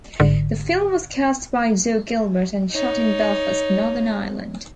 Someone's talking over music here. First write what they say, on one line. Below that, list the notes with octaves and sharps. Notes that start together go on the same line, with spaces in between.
The film was cast by Jo Gilbert and shot in Belfast, Northern Ireland.
G1 G#2 D3
D#4 C#5